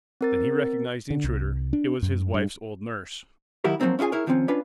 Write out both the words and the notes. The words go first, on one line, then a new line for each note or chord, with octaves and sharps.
Then he recognised the intruder, it was his wife's old nurse.
C4 A#4 A6
D3
C2
D4
F#2
G2
D#3 F#3 E4 F#4 G4 A#4
F3 F#3 G#3 A#3 C4 D#4
C#4 E4 F4 G#4 G#5
E4 G#4 A#4 C#5
D3 D#3 F3 A3 C4 C#4
C#4 D4 F4 B4